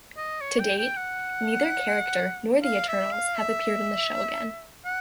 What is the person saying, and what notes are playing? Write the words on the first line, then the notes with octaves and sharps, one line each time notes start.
To date, neither character, nor the Eternals, have appeared in the show again.
D#5
C#5
G5
G5
F#5
F5
E5
F5
E5
F#5